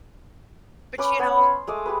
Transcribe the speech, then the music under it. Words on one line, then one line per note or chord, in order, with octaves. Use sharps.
But you know,
C#4 B4 D6
B3 C#5 B5
C6
G#3 A3 D#5 D6
G4 G#4 B4